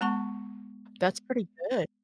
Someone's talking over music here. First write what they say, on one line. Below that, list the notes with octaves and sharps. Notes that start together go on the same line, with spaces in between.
That's pretty good.
G#3 B3 F#5 A5 C#6